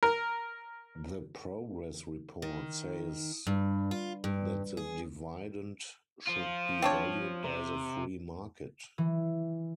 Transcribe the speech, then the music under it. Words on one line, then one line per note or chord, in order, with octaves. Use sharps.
"The Progress Report" says that the dividend should be valued by the free market.
A#4
D#3
G2
F4
G2
G#4
F3 F4
C4 D4 C#5
C3
E3